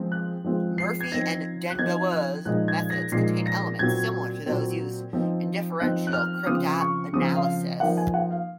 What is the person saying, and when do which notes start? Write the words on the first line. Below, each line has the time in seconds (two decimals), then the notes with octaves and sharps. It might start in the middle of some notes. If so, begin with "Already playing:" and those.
Murphy and den Boer's methods contain elements similar to those used in differential cryptanalysis.
Already playing: F3 G#3 C4 F4
0.12 F#6
0.44 F3 G#3 C4 F4
0.78 C7
1.01 G#6
1.12 F3 C4 D#4 A#6
1.70 F#6
1.79 F3 C4 D#4 G#6
2.12 F#6
2.45 A#2 F3 G#3 D#4 F#6
2.68 G#6
2.90 A#6
3.12 A#2 F3 G#3 D#4 C7
3.46 A#6
3.79 A#2 F#3 C4 G#6
4.46 A#2 F#3 C4
5.13 F3 C4 D#4
5.80 F3 C4 D#4 F#6
6.07 F#6
6.13 F6
6.47 C#3 F3 C4 F4 D#6
6.80 C#6
7.13 C#3 F3 C4 F4 D#6
7.36 F5
7.80 F3 A#3 D#4 F#5
7.97 G#5
8.14 F#5
8.31 F5